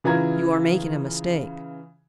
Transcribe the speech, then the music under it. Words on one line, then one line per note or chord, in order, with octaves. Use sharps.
"You are making a mistake."
C#3 E3 F4 A#5 G#6